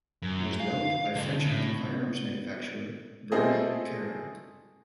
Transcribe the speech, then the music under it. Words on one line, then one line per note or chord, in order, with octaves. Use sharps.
It was developed by French hunting firearms manufacturer Verney-Carron.
F#2
F5
D3 G3
A2
B3
G3 A3 C4 G#4 A4 D#5